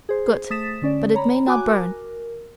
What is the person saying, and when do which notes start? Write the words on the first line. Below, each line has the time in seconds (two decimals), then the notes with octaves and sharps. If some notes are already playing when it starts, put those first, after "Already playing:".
Good, but it may not burn.
0.09 G#4 C5
0.50 A3 D#6 A6 B6 E7
0.82 D3 C#4 D5
1.14 C#5 A#5 B5
1.47 F#4 G#5 D6 F#6
1.68 A#4